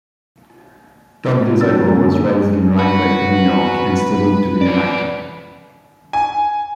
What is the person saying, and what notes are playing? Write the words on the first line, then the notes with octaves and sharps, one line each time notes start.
Todd Dezago was raised in Rhinebeck, New York and studied to be an actor.
D#2 F3 D4 F#4 E6 A6
A#2 D3 G#3
F#4 B4
E3 D5
G#5